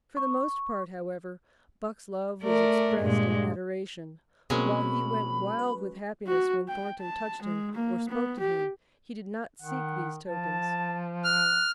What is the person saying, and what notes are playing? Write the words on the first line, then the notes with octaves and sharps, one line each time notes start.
For the most part, however, Buck's love was expressed in adoration. While he went wild with happiness when Thornton touched him or spoke to him, he did not seek these tokens.
C#6
A3 A#4 D5
G2 A#2 G#3
B2 F#3 G#3 A#3 C4 C#4 B5
B4
F#4
G5
A5
G#3
A#3
B3
G4
D#3 F#5
F3 A5
F6 F#6